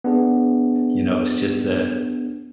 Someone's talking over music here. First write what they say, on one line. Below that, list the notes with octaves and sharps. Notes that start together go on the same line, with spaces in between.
you know, it's just the,
B3 D4 G#4